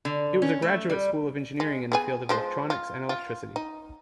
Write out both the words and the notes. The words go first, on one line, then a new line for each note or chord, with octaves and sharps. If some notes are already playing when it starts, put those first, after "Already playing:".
It was a graduate school of engineering in the field of electronics and electricity.
D3
C#4
A3
G3
G#3
B3 G#4 G#5
F3 G#3 C5
F4
F4
D#4